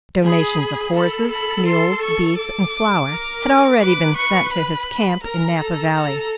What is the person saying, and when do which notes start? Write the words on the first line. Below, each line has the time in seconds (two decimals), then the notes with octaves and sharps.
Donations of horses, mules, beef, and flour had already been sent to his camp in Napa Valley.
0.25 G#4 B5
0.96 A4 B5
1.32 B5
1.68 C6
2.03 C#6
2.38 D6
3.10 A#4
3.81 B4 D6
4.16 C#6
4.53 B5
5.23 A#4 A#5
5.59 A4
5.94 A4 A#5